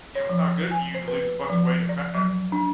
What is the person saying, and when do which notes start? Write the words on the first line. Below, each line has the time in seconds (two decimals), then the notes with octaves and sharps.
you know, it's not good for you to lose a bunch of weight at f at,
0.15 C#5
0.29 F3
0.71 G#5
0.95 C5
1.08 B4
1.50 F3
1.89 D5
2.15 F#3
2.52 D4